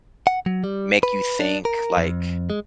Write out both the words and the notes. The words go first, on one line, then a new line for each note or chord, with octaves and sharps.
make you think, like,
F#5
F#3
G3
B4
D4
A#4
F2
G#3